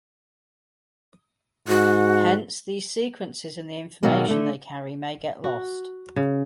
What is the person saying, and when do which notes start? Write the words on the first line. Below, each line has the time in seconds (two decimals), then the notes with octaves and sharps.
Hence, these sequences and the information they carry may get lost.
1.68 G#2 F#4
4.03 B2 D#3 F#3 A#3 B3
4.28 D3 A3
5.44 F#4
6.16 C#3